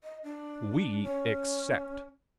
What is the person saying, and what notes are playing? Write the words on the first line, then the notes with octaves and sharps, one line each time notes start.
We accept.
D#5
D4
C#4